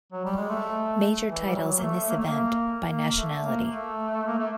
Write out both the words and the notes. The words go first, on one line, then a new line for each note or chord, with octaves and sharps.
Major titles in this event, by nationality.
F#3
G3
G#3
A3
E3
G3
F#3
A#3
A3
A#3
A3
A#3
A#3
A3
A#3
A3
A#3
A3